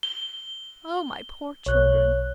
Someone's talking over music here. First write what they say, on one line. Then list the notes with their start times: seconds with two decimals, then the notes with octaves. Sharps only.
O my poor children!
0.03 G7
1.66 B1 C#5 F#6